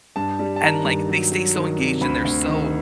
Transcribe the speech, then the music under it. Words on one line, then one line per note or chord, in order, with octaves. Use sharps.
and, like, they stay so, engaged and they're so,
G2 A5
G3
A5
D#3 A#5
G2
F#3
F#3
D#3
C3
D2 B5
D2
D#3